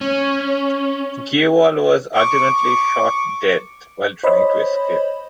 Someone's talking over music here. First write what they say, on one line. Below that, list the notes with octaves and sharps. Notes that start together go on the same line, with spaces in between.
Gaywal was ultimately shot dead while trying to escape.
C#4
C#6 D6
C5 C#5 D#5 B5